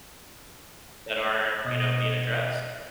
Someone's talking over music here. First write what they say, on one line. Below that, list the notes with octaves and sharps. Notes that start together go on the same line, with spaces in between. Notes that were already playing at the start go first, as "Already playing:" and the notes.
that aren't, you know, being addressed.
B2 D#5 A#6